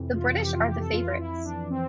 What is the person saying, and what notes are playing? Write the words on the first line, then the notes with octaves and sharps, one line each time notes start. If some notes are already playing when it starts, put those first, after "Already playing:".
The British are the favorites.
Already playing: F2 C3 E3
F4
G4
F4
G4
A4
F2 E3 F4
E4
D4
C4